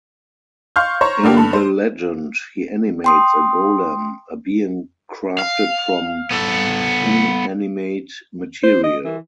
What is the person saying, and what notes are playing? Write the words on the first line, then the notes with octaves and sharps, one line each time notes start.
In the legend, he animates a golem, a being crafted from inanimate material.
F5 C6 C#6 F6 G6
C5 C#5 A#5 C#6
G2 D3 A#3 G4
G2 A4 B5
C5
G5 C6 D#6
F5
B3 A4
C5
D#5
E3